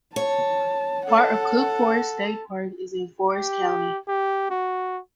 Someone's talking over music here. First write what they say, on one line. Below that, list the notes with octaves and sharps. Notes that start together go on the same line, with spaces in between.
Part of Cook Forest State Park is in Forest County.
C#5 A5
A4 F#5
G4
G4
F#4